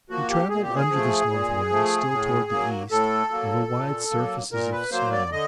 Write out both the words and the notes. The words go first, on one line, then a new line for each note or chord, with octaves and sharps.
He travelled under this north wind, still towards the east, over wide surfaces of snow.
F3 A#3 F#4
G4
A#2 G#4
G4
G#4
F3
A3
A#2
F3 A3
A2
F#3 A#3
A2 A4
F#3 A#3
A#2
F#3 A#3
A#2 A#4
B4
F#3 A#3 C5
D5
D3 D#5